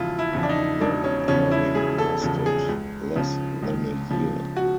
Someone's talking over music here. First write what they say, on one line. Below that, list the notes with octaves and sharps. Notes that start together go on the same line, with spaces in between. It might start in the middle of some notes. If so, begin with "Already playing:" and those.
The pairing lasted less than a year.
Already playing: E1 C#3 F3 E4 F4
E4
E2 C#3 F3
D4
D#4
E1 D4
C#4
E2 C#3 F3 C#4
E4
E1 G#4
A4
E2 C#3 F3
G#4
C#2
C#3 F3
C#2
C#3 F3
F#4